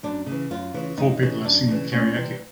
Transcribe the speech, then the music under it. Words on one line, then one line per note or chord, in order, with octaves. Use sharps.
Four people are singing Karaoke.
F#2 D4
C#3 E3
F#2 F4
C#3 E3
F#2 D#4
C#3 E3
F#2 D4
C#3 E3
D2 C#4
C3 E3 G3 C4